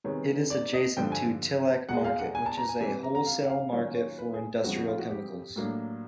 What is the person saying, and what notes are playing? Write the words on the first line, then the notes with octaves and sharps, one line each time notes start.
It is adjacent to Tilak Market which is a wholesale market for industrial chemicals.
C3 D#3 G#3 B3 C#5
D5
D#5
G2 D3 F3 G5
G#5
E2 B2 G#3 F#5
F5
F#5
G#5
A5
A#5
G#5
C3 E3 G3 G#5
A#5
A#5
F5
F#5
F5
D#3 F#3 A#3 C#4 F4 C#5
C#5
B4
G#4
F2 C#3 F3 F#4
F#4
F4
F#4
G4
A2 F#3 A#3 D4